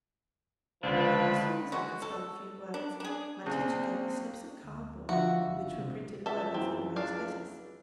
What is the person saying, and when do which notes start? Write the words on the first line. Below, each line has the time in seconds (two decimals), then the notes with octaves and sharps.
As soon as I could spell a few words my teacher gave me slips of cardboard on which were printed words in raised letters.
0.83 C#2 D3 F3 D4 B4
1.72 G#3 F#4
2.02 A4
2.74 D4
3.00 D4 G#4
3.46 C#2 A#3 C4 D4 G#4
4.63 D2
5.09 D3 F3 D4 F4 F#4 E5 F5
5.47 F#1
5.78 C3
6.26 C#2 A4 E5
6.54 F#2 E3 F#3 C4
6.96 D4 F5